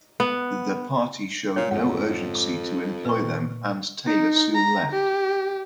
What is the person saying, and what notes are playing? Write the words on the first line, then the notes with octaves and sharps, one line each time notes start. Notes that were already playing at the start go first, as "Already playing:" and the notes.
The Party showed no urgency to employ them, and Taylor soon left.
B3
A#2 C#5
F1 F2 G#2 F#5
D6
A#2 B4 C#6
D#4
A#5
G4